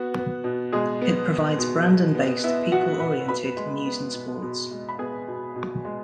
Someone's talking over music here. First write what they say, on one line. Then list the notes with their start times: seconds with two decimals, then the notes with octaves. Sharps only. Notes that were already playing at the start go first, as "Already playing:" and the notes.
It provides Brandon-based, people-oriented news and sports.
Already playing: B3 F#4
0.16 B3
0.44 B2
0.72 B2 G#3 G#4
1.01 B3
1.30 B3
1.58 B2
1.86 B2
2.15 B3
2.44 B3 E4 E5
2.72 B2 F#4 F#5
3.00 B2 B4 B5
3.28 B2 B4 B5
3.57 G#3
3.85 B3
4.14 B2
4.42 B2
4.71 G#3
4.89 B5
4.99 B3 G#4 G#5
5.28 B2
5.56 B2
5.85 G#3